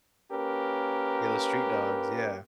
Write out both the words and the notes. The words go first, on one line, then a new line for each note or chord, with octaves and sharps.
Yeah, those street dogs, yeah.
A#3 C#4 G4 A#4 B4